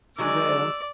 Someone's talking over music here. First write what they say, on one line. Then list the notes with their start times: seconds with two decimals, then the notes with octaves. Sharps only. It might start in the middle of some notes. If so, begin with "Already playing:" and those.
So there.
0.18 D#3 F#3 G#3 D5 E6